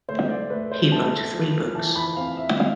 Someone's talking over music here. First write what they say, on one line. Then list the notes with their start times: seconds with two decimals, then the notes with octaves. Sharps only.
He wrote three books.
0.09 A3 C5
0.30 D5
0.50 A3 B4
0.72 C5
0.92 A3 A5
1.33 F3
1.75 E3 A5
1.96 B5
2.16 C4 F5
2.37 E5
2.59 F5